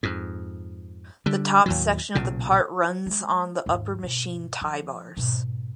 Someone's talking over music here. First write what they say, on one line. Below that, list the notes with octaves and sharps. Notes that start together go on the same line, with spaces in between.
The top section of the part runs on the upper machine tie bars.
F2 G#2
D3 G3
D#2 A2 F#3
B1 A#2 C#3
G#3
D#2 G#2
G2 B2
F3
G#2 B2